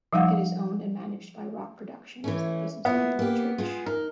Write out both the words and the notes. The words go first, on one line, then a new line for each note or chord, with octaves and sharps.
It is owned and managed by Rock Productions, the business arm of the church.
F3 G3 D#4 F5 F#5
E3 A3 C#4
B3 E4 F4
A#3 G4
G#3 F4 G#4
D#4 A#4